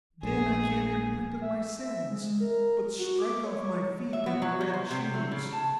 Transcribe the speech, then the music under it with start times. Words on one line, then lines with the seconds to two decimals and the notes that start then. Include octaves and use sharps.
"Then I can't repent of my sins! But strike off my feet in the red shoes!"
0.23 A#1 G#4
1.41 E5
1.79 E5
2.10 G#3
2.40 A#4
2.99 F#4
3.19 D6
3.44 C#5
3.58 C#5
4.13 E5
4.26 B3
4.42 F#3
4.61 F#3
4.74 C5
4.91 C3
5.14 A3
5.31 C#3
5.53 A5